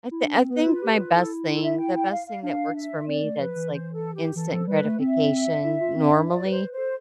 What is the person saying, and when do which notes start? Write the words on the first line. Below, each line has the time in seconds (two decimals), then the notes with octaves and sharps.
I thi I think my best thing the best thing that works for me that's, like, instant gratification normally
0.11 E4
0.24 D4
0.37 C4
0.50 B3 B4
0.67 F4 B4
0.82 G4
0.93 B4
0.98 F4
1.14 E4 A4
1.47 A4
1.63 E5
1.78 G5
1.95 G5
2.11 F5
2.27 F5
2.43 D4 F5
2.75 E5
3.07 C4 D5
3.24 A3
3.39 F3 B4
3.56 E3
3.72 C5
3.93 A4
4.14 G4
4.35 E3 A4
4.53 F3
4.68 G3 B4
4.84 A3
5.00 C4 E5
5.64 E4
5.81 F4
5.96 C4
6.13 D4
6.29 F4 D5
6.45 B4 C5
6.62 B4
6.72 C5
6.78 A4